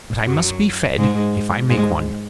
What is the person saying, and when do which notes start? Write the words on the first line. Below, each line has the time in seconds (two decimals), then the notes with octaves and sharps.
"But I must be fed, if I make one."
0.26 F#2 F#3
0.98 G#2 G#3
1.70 G#2 G#3